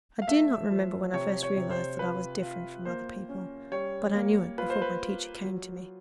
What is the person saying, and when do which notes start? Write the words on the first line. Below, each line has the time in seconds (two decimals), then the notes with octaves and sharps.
I do not remember when I first realized that I was different from other people; but I knew it before my teacher came to me.
0.22 F5
0.28 A3 E5
0.71 F3
1.13 C3 C#5
1.43 C#5
1.56 C3
1.71 C5
1.99 F4 B4
2.42 F4
2.85 A#3 C5
3.29 C#4
3.72 G3 C#5
4.15 A#3
4.58 F4 B4
4.70 C5
4.82 B4
5.01 F4
5.44 F#3